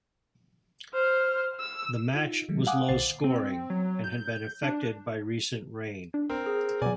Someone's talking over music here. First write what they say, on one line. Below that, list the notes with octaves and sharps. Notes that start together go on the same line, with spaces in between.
The match was low scoring and had been affected by recent rain.
C5 F6
E6
D#4 F4
D#3 F#3 G#3 A3
F5 F#5 G#5 D6 D#6
B1 A#2 D3 C5 A6 C7
C4
F#3
G6
D4
D4
C4 A#4
G#4
B2 E3 F#3 D5 G#5